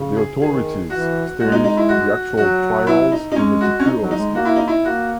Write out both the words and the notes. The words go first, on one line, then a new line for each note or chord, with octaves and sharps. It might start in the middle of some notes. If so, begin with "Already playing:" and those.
The authorities staged the actual trials meticulously.
Already playing: C#3
G#4
D#3 G#4
E3 F#4
G#3 F#4
D#4
D#4
E4
F#4
F#3 F#4
E4
D#4
D#4
G#3 C#4
F#4
C#4
D#4
F#3
D#4
G#3
A#3 F#4
E4
D#4
E4
A#3 F#4